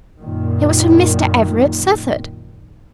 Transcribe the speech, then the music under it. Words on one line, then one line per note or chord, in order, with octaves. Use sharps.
"It was from Mr. Everett Southard."
F#2 A#2 D#3